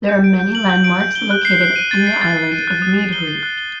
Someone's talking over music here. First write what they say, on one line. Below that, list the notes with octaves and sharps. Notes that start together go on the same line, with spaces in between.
There are many landmarks located in the island of Meedhoo.
G6
D7
G6
F#7
G6
D7
G6
G7
F#6
C7
F#6
D#7
A6
C7
A6
C7
D#7
F#6
D#6
D#7
G7
C7
F#6
G7